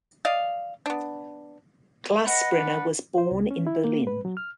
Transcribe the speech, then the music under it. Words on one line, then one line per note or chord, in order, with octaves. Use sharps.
Glassbrenner was born in Berlin.
D5 D#5 F5
B3 D4
B4 D#5 F#5
D4
C5
C2
C#4
E4
A#3
B4
F#3
F6